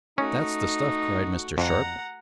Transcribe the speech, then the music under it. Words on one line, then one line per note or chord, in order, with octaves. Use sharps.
"That's the stuff!" cried Mr. Sharp.
A3 C#4 D#4 F#4
F2 F#5 A#5